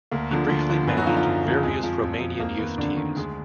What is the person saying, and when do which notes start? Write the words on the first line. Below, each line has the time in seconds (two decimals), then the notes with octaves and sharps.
He briefly managed various Romanian youth teams.
0.11 D2 A#3
0.31 D3 F3
0.49 D2
0.69 D3 F3
0.87 F#2 B3
0.97 F#3 F#4
1.03 D#4
1.06 D3 F3 F4
1.16 F3 F4
1.26 F#2
1.45 D3 F3
1.63 F2 G#3 G#4
1.83 F3
2.02 F2
2.20 F3
2.40 F2 A#3
2.58 D#3 B3
2.78 F2 D3 D4
2.97 D#3
3.16 D2 G#3 G#4